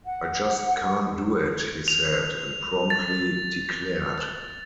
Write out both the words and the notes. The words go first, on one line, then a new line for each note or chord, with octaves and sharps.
"I just can't do it," he said, and promptly declared.
F#5
F7
A6